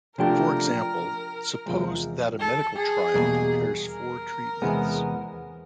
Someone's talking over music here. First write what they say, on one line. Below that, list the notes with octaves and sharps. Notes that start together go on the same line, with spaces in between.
For example, suppose that a medical trial compares four treatments.
C3 F3 A3 D4 G4 A#4
E2 C3 F3 G#3
A4
G#4
E2 B2 G3 A#3
A#4
E2 C3 E3 G#3 B3